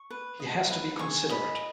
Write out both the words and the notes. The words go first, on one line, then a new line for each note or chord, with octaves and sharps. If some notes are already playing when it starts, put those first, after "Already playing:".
He has to be considerate.
Already playing: C#6
B4
D#5
B4
G#4 C#6
D#5 B5